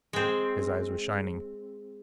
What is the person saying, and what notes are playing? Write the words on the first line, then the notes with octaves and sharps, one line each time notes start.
His eyes were shining.
G#3 C4